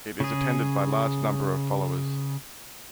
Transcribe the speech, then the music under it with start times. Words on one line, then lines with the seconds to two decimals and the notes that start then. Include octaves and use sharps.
It is attended by large number of followers.
0.20 C#3 G#4